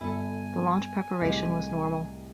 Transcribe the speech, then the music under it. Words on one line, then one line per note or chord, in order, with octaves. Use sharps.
The launch preparation was normal.
G1 E4 A4 G#5
C2 A2 G#3 A#3 G4